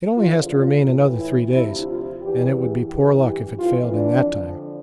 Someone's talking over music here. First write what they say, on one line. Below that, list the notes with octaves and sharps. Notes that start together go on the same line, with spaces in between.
It only has to remain another three days, and it would be poor luck if it failed in that time.
E2 D3 F3 F4
F4
A2 E3
E4
D2 C3 F3 E4
F4
E2 E3 G4
G2 E3 G4
G4
F2 E3 F4
D4
F2 D3 F3